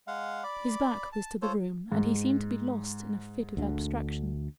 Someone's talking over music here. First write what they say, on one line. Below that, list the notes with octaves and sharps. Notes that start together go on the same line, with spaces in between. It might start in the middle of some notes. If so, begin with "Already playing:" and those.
His back was to the room and he seemed to be lost in a fit of abstraction.
G#3 F5 F#5
D5 B5 D6
A5
F4 A4 C5 C#5
G#2
D2 D3